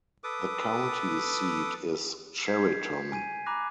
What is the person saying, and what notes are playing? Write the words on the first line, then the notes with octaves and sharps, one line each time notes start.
The county seat is Chariton.
A4 B4 D6 D#6
G6 G#6 B6 C7
G#5 D#7
A#5 B5 D6 F#6 A#6